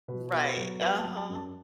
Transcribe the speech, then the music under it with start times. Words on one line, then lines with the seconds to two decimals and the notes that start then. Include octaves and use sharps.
Right, uh-huh.
0.08 B2 B4
0.33 B3
0.45 B4
0.57 F#3
0.81 B3 B4
0.99 A5
1.05 F#3
1.17 A5
1.29 F#2
1.35 A5